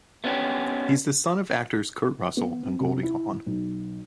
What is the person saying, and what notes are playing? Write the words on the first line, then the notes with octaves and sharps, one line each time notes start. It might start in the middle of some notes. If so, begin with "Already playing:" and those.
He's the son of the actors Kurt Russell and Goldie Hawn.
A3 B3 C#4 D4 G4
B3
C4
C3
E4
B1